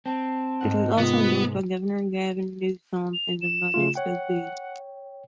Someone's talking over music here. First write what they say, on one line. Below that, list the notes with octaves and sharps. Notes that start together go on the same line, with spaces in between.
It was also endorsed by governor Gavin Newsom and "The Modesto Bee".
C4 A5
G#2 A#4 F#5
C3 G#3 B3 F4
F7
E7
C#3 A3 F4
C#5 F#5 G5